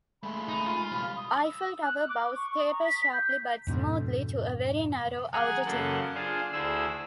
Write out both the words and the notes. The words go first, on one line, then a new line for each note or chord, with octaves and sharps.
"Eiffel Tower" bows taper sharply, but smoothly, to a very narrow outer tip.
G#3 A3 B5
D#4
F4
B1 G3
D#6
E6
F#6
D6
C#6
D#6
A#5
B6
G6
F2 G#2 B2 D3
G#4 F#5 G#5 A#5
F#2 C#3 A#3 A4 F#5 C6
D4 F4 G#4 C5 F5 G#5
D2 D3 E4 G#4 C5 E6